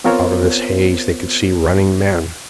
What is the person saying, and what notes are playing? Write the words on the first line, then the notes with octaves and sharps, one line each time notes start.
Out of this haze they could see running men.
B3 C4 F4 A#4 C5 C#5